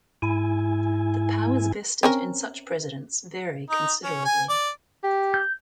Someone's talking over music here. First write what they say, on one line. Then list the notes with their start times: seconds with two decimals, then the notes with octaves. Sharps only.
The powers vested in such presidents vary considerably.
0.22 G#2 E4 G#5
2.03 C4 C#4 A#4
3.70 D#4
4.04 C#4
4.25 G#5
4.49 D5
5.04 G4
5.34 G6